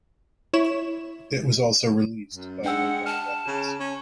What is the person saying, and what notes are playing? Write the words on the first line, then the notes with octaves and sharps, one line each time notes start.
It was also released by Roadrunner Records.
E4 C#5 E7
F#2
G#3 D4 F#5 G5 E6
A5 F6
C#3
C#4